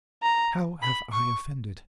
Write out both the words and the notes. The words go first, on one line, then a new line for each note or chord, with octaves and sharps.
"How have I offended?"
A#5
B5
C#6